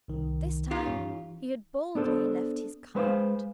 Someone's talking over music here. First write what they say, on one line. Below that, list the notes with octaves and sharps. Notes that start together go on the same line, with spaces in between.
This time he had boldly left his card.
C2 D#3
D#4 F4 G4
G2 C#4
E3
B3 D4 A4 C5
G#3 B4 C5 F5